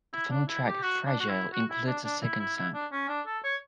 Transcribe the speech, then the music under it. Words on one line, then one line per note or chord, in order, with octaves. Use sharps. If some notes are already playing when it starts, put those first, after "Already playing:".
The final track, "Fragile", includes a second song.
E4
D4
E4
G4
F#4
D4
F#4
E4
F#4
E4
D4
D4
E4
E4
E4
D4
C#4
D4
A4
C#5